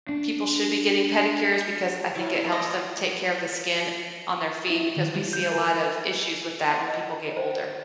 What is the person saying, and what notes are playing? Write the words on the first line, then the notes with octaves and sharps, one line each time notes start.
people should be getting pedicures because I think it helps them take care of the skin on their feet, because we see a lot of issues with that when people get older.
D4
D2 E4 C#5 D6
E4 F4
G#3 A#3 D#5
E4
D#3
G3
G6
A#4
D#5
C5